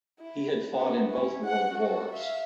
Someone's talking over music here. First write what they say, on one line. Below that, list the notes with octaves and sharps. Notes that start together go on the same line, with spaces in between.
He had fought in both World Wars.
E4
B3 D4
C#4 E4
F#5 F#6
F#4 A4
E5 F5